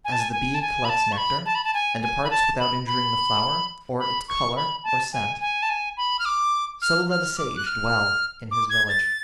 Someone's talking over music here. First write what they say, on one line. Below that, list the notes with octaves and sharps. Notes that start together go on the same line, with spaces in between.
As the bee collects nectar and departs without injuring the flower, or its colour or scent, so let a sage dwell in his village.
G#5
A5
G#5
G#5
A5
G#5
B5
A5
C#6
B5
A5
B5
A5
G#5
G#5
B5
A5
B5
B5
B5
C#6
B5
A5
G#5
G#5
A5
G#5
B5
F6
D6
F6
F6
F6
D6
F#6
F6
D6
G#6
A6